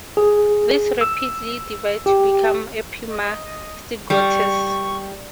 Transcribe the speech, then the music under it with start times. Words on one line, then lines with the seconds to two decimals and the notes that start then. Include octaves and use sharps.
These rapidly divide to become epimastigotes.
0.17 G#4
1.01 E6
2.06 G4
3.08 D#5
4.10 G3 C#6